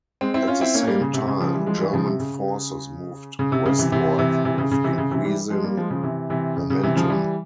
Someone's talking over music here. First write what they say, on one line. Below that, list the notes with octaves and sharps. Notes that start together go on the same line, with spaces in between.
At the same time, German forces moved westward with increasing momentum.
G#3 C4
C4 E4
C#4 F4
C4 E4
A#3 C#4
G3 A#3
C#3
C3
C#3
C#3 F3
E3 G3
F3 G#3
E3 G3
C#3 F3
C3
C#3
C#3
C3
C#3
C3 E3
C3 E3
C3 E3
C3 E3
C#3
C#3
C3 E3
C#3
C3 E3
E3 G3
F3 G#3
G3 A#3
F3 G#3
C#3 F3
C3 E3
C3 E3
C#3
C#3
C3 E3
C#3 F3
E3 G3